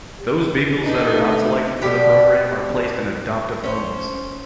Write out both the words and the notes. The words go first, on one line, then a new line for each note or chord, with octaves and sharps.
Those beagles that are not selected for the program are placed in adoptive homes.
G4
D4 D#4 B4
A3
B2 G4 D5
C#4 C5